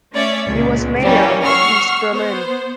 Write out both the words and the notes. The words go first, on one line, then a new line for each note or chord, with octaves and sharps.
He was Mayor of East Berlin.
A3 C#4 C#5 D5 E5
C#2 A#2
E3 F#3 G3 A#3 C#4
F#5 C#6 E6 F6 C7
B3 C5